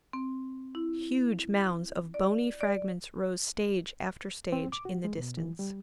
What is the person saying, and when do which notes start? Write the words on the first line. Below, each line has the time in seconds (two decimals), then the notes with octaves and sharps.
Huge mounds of bony fragments rose stage after stage in the distance.
0.13 C4
0.75 E4
2.14 D5
2.61 D5
4.52 C4
4.72 D6
4.85 F#4
5.04 G#3
5.18 B2
5.37 E3
5.59 G3